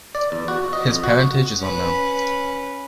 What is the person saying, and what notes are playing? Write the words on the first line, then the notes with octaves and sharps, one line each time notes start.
His parentage is unknown.
D5
E2
F#4
D#5
F2
F#4
C#4 B4